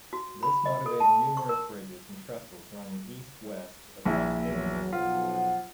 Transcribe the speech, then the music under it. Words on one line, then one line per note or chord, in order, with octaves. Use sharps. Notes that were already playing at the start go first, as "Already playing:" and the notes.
This motivated numerous bridges and trestles running east-west across the neighborhood.
F#4
B5
D#5
A4
A5
C#6
A#4
A#1 E4
E2 F#3
B1 F3 F4 F#5